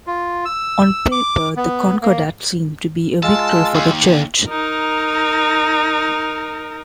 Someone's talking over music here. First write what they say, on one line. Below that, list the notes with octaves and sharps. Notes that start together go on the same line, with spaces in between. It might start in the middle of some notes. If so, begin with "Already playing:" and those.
On paper the concordat seemed to be a victory for the Church.
F4
E6
D6
B3
A#3
G#3 F4 A5 E6
D#2
D#4 A#4